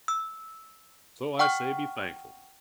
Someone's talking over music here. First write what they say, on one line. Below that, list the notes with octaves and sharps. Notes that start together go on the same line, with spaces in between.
So I say, be thankful.
E6
F#5 G5 C#6 F6